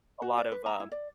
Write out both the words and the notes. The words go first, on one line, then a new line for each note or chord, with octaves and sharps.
a lot of uh,
F#4
D5
B4
A#5
E4
D5